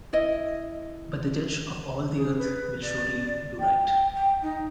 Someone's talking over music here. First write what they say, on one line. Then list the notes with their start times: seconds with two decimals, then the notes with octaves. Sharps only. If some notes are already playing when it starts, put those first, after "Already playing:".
But the Judge of all the earth will surely do right.
0.13 E4 D#5
2.15 G#4
2.37 B4
2.81 D5
3.59 G5
4.14 G5
4.41 D#4